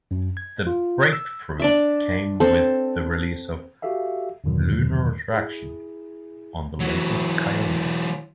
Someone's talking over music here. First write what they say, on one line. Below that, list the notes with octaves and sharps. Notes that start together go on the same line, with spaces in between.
The breakthrough came with the release 'Lunar Attraction' on the label Koyote.
F#2
G#6
F4
E6
D4 D5 E5
C4 A4
F#4 G4 A4 E5 F5
E2 G2 B2 D3 D#3 F#3
E4 G#4
E3 F#3